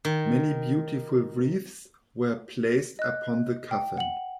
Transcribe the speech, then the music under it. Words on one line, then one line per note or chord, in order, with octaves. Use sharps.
Many beautiful wreaths were placed upon the coffin.
D#3
D#5 F#6
G5
F#5 F#7